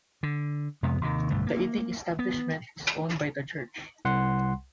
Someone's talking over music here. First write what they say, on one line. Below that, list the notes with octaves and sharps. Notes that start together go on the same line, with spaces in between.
The eating establishment is owned by the church.
D3
F2 C3 G#3 B3
D#2 C3 D#3
B1 G2 D3 A3
A#3
B3
C2 F#5 C6